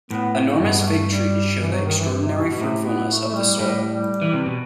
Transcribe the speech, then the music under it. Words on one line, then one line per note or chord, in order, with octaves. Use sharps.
Enormous fig-trees show the extraordinary fruitfulness of the soil.
A2 B3
A3
G2 B3
G3
A3
G3
E3
F#3
D#3
E3
C3
B2
B2
A2 C3
B3
A3
A3
G3
A2 G3
G3
E3
C3
B2